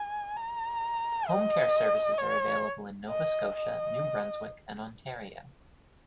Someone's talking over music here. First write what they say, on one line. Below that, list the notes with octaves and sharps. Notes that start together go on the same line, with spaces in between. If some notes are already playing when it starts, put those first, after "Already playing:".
Home care services are available in Nova Scotia, New Brunswick, and Ontario.
Already playing: G#5
A#5
D#5
C#5
D#5
D#5